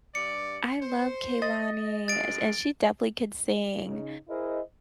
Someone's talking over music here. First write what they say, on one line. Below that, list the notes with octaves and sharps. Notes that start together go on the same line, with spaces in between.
I love Kehlani, a and she definitely could sing.
G2 D5 C#7
C5
D#5 A6
F#2 G#3 A6 D7
C#3 D#4
E4 G#4 A#4 C5 D#5